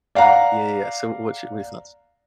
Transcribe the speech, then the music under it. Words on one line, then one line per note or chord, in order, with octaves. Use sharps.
Yeah, yeah, yeah, so, what's your what are your thoughts?
D5 F5 F#5 A#5